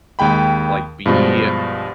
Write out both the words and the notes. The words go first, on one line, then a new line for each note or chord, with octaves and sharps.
like be
D#2 G#3 G5 B5
G2 B2 F3 G#3